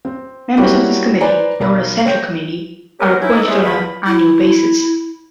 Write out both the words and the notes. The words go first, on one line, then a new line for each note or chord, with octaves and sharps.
Members of this committee, known as Central Committee, are appointed on an annual basis.
C4
F#3 G3 A#3 E4 F#4 G4
B4 C5 D5 G#5 A#5
B1 A#4 B5
C5 C#5 G5 G6 A#6
B3 C#4 G4 A#4
C#4 D#4 E4
D#4 A4 D#6
C#4 E4 G4 G#4 B4 C5
E2 D#3 B5
E4